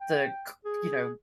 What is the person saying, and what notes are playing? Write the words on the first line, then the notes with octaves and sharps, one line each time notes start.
the c you know,
G5
G#4